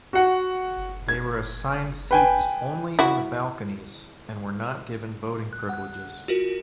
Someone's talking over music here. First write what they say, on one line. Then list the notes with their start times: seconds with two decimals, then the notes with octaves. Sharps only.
They were assigned seats only in the balconies and were not given voting privileges.
0.13 F#4 F#5
1.08 G#6
2.11 B4 G5 G#5
2.99 E4 F#4
5.53 F#6
5.69 F#5 F#6
6.28 F4 F#4 A#4